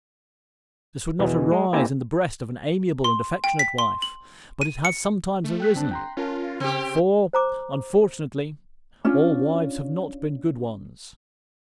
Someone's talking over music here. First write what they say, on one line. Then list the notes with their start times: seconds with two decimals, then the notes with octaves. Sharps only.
This would not arise in the breast of an amiable and affectionate wife, but it has sometimes arisen; for, unfortunately, all wives have not been good ones.
1.19 E2 B2 E3
1.52 G#3
1.73 A#3 C4 E4 G4 G#5 A#5
3.04 C6
3.44 G5
3.59 B6
3.78 C6
4.02 F#7
4.61 D#7
4.85 C#7
5.44 A3
5.60 G5 F#6 B6
5.75 G1 C4 D4 A5
5.91 G5 A#5 C6
6.17 C#4 F4 A#4 A5
6.60 C#3 C4 G4
7.33 C5 A#5 D6
9.05 C#4 D4 F4